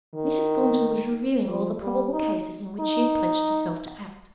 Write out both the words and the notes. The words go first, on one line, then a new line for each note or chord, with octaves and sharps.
Mrs. Thornton was reviewing all the probable cases in which she had pledged herself to act.
D#3
F3
G3
D#4
D#4